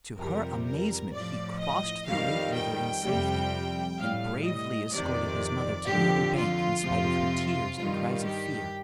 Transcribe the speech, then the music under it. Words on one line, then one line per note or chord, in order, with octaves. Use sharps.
To her amazement he crossed the great river in safety and bravely escorted his mother to the other bank in spite of her tears and cries of fear.
F2 C3 G3 A#4
A#4
A2 F3 D5
D#5
F2 D#3 G3 F5
G5
F2 C3 G3
A2 G3 F5
D#5
F2 C3 D#3 D5
F2 D3 F3 G4
F4
F2 C3 F3
G2 D#3 G3 F4
G4